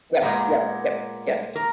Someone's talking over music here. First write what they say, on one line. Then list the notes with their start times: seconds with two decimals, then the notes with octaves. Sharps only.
Yep, yep, yep, yep.
0.22 A#2 G#3 B3 A#4
1.56 A#4